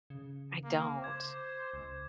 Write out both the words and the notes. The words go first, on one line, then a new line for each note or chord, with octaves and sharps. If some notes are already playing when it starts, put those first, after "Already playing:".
I don't.
C#3
A#3
C5 D6 G#6
C#2